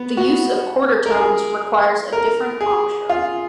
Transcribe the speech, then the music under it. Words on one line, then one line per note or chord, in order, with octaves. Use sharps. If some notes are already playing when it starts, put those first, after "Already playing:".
The use of quarter-tones requires a different embouchure.
Already playing: B3
F#4
A#4
G#4
A#4
G#4
F4